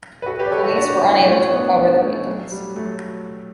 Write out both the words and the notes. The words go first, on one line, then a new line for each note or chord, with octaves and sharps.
Police were unable to recover the paintings.
B4
F#4 A4
G4 B4
D5
A4 C#5
F#4 A4
D4 F#4
C#4 E4
A3 C#4
B3 D4
B3 D4
A3 C#4
F#3 A3
G3
F#3 A3